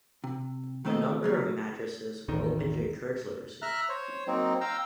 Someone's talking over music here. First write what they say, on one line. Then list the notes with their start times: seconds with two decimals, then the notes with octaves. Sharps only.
A number of madrasas were opened to encourage literacy.
0.24 C3
0.85 D#3 A3 C4 A4 D#5
1.22 C#3 F#3 A#3 C#5
2.28 A1 E2 D#3
3.62 E5 A#5 F6 F#6
3.89 C5 C#5
4.27 F#3 A#3 C4 D#4
4.61 F5 G5 A#5 E6